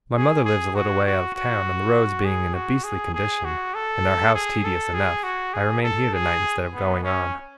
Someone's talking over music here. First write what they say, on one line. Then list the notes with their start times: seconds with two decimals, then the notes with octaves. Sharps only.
My mother lives a little way out of town; and the roads being in a beastly condition, and our house tedious enough, I remained here tonight instead of going on.
0.16 G#4
0.45 G#4
0.75 F#4
1.05 F#4
1.35 F#4
2.25 G#4
2.54 F#4
2.84 G#4
3.14 G#4
3.45 F#4
3.75 A4
4.34 G#4
4.64 A4
4.94 G#4
5.23 F#4
5.54 G#4
5.83 A4
6.13 G#4
6.73 B3
7.03 C#4